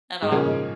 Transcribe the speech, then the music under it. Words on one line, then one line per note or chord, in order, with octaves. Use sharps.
at all.
G#2
A#2 C#3 F3 A#3 C#4 G#4
G#2